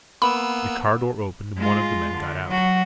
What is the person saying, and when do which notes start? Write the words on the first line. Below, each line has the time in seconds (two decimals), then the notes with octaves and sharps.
The car door opened, and one of the men got out.
0.22 A#3 B3 B5 E6
1.57 G#3 F4
2.14 D3
2.49 F#3 F#4